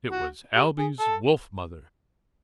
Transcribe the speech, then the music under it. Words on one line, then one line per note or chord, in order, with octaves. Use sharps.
It was Ailbe's wolf-mother.
F#4
G4
G#4
A4